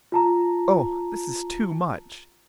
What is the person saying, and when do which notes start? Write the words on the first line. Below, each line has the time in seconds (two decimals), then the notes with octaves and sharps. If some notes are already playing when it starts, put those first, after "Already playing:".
"Oh, this is too much!"
0.12 F4 A5 A#5